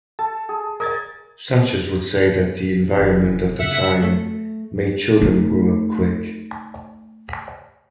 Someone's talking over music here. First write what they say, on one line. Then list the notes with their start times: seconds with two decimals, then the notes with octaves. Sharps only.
Sanchez would say that the environment of the time made children grow up quick.
0.19 A4 A5
0.49 G#4
0.80 A#4 D#5 G#6 A6
2.97 F1 E3 C#4
3.59 F#2 C#3 E5 F#5
4.02 A3
5.22 A3 D#4